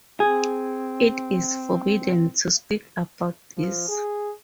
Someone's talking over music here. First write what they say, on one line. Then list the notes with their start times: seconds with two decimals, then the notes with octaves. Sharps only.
It is forbidden to speak about these.
0.20 C4 G#4
3.58 F3
3.89 G#4